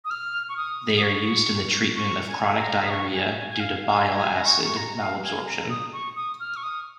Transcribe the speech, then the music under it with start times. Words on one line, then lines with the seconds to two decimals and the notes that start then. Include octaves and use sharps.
They are used in the treatment of chronic diarrhea due to bile acid malabsorption.
0.05 D#6
0.10 F6
0.49 C#6
0.57 D#6
0.97 D#6
1.03 C#6
1.96 C#6
2.28 G#5
2.59 A#5
2.85 D#6
2.90 C#6
3.13 G#5
3.36 G#5
3.49 G#5
3.60 F5
3.83 F5
4.15 G#5
4.35 A#5
4.45 C#6
4.64 C#6
4.77 A#5
4.99 F5
5.23 G#5
5.46 A#5
5.70 D#6
5.93 C#6
6.16 D#6
6.40 F6
6.56 C#6
6.63 D#6